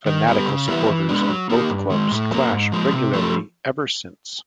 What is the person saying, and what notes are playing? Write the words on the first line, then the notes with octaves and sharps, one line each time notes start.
Fanatical supporters of both clubs clash regularly ever since.
D#3
G3 B3
C#3
E3 G3 B3 E4
E3
G#3 B3 D4
F#3
A#3 D#4 G4
G2
D#3 G#3
A2
F#3 A#3
G#2
F3 G#3
C3
F3 A3